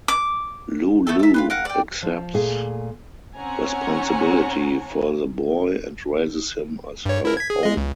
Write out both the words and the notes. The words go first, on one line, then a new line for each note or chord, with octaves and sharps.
LouLou accepts responsibility for the boy and raises him as her own.
D6
A3 B3 A4
A4 E5
F4 G#4 B4
A#4 F5 F#5
D5 G5
F3
A#2 A3 G#4
C4 C#4 C#5 F#5 G#5 A#5
G2 C#5
E4 A#4
G#6 B6
G#4
G#3 G#4 D#5
C#2